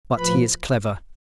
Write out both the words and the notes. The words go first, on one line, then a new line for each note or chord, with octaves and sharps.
But he is clever.
A2 F3 B4 B5